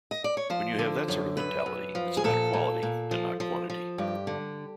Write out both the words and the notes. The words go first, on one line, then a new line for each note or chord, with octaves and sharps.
When you have that sort of mentality, it's about quality and not quantity.
D#5
D5
C#5
F3 C5
D3
F#2
F#2 B4
F#2
F3
G#4
A#2 A4
A#2
A#2
F3
F3
F3
G2 G4
D3